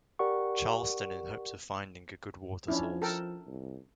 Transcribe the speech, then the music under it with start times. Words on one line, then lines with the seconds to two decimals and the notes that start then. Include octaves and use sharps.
Charleston in hopes of finding a good water source.
0.19 G4 A#4 D5 F#5 C#6
2.68 F3 C#4 D4 E4
3.02 A4 A#4 G5
3.47 C2